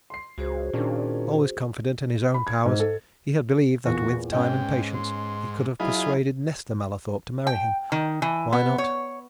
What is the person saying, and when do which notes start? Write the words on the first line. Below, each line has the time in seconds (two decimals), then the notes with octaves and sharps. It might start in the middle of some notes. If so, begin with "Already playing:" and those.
Always confident in his own powers, he had believed that with time and patience he could have persuaded Nesta Mallathorpe to marry him--why not?
0.10 C6 C7
0.38 C#2 F#4 G#4 C5
0.73 A#2 D#3 C#4 D4
2.34 B5
2.47 G#6
2.65 G#2
2.80 A4
3.85 E2 A#2 F#4
4.33 G#2 B3 C#4 D#5 G5
4.94 C6
5.80 F#3 E4 F4 G#4 D#5 B5
7.47 G5
7.92 D#3
8.22 E3
8.53 B3
8.78 C#5